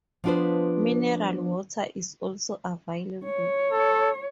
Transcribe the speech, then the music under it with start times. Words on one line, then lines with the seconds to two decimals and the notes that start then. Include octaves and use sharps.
Mineral water is also available.
0.24 F3 B3 D4 F4 B4 C5
3.25 C#5
3.72 A4